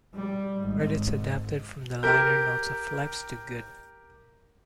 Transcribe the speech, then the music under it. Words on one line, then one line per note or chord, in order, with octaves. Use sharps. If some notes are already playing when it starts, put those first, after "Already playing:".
Credits adapted from the liner notes of "Life's Too Good".
G3
G#1 G#2
G4 A#4 G6